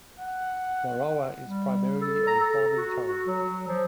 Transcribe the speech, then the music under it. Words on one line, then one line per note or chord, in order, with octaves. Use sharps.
Morawa is primarily a farming town.
F#5
G3
A4
A#5
A4
F#4
F#4
F#3
F3